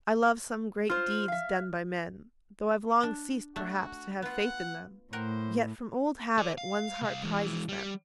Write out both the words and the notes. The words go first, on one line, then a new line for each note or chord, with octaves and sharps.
I love some great deeds done by men, though I've long ceased perhaps to have faith in them, yet from old habit one's heart prizes them.
F4 C5 F6
E5 F5
D4
A3 D4 F#4
B3 F4 F#5
A2 A#4 C5 F#5 G5
A4 D5
F5
C2 F5
E3 G#3
G3